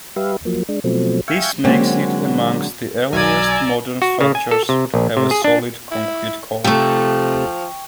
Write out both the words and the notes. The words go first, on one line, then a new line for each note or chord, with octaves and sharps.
This makes it amongst the earliest modern structures to have a solid concrete core.
G3 G4 B4 E5 F5
F3 F#3 A#3
G#3 D4
B2 F3 F#3 A3 C4
E5 F5 G5 G#5 C#6
D3 F#3 G#3 A#3 C4 C#4
B1 D5 G#5 A#5 E6 G#6
F#4
C#3
G#5
A4
C3
A#1
C3
G#4
D4
E4
C3 F3 A3 G5 C#6